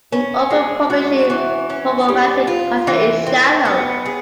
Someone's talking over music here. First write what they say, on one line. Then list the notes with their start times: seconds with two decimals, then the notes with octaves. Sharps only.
In open publishing problematic content is shallow.
0.12 C#4
0.51 G#3
0.90 F#4
1.30 E3
1.70 C#4
2.09 G3
2.47 F4
2.87 E3
3.27 C4
3.65 B3
4.06 G#4